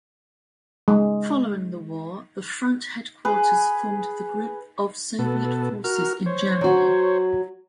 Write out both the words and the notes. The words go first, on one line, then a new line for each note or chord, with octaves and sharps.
Following the war, the Front headquarters formed the Group of Soviet Forces in Germany.
G#3
G#4 B4
B2 B3 A4
F#4 A#4 F6
C5 C#5
F#3 F#4